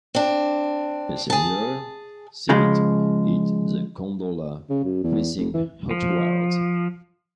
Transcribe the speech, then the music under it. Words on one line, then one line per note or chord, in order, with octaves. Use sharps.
Passengers sit in the gondola, facing outward.
C4 D4
G#4 A5
C#3 F3 G#3
C#3
F#2
E2
F1
E3
F3